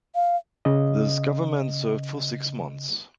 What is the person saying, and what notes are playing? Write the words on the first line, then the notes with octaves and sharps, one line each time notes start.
This government served for six months.
F5
C#3 D#5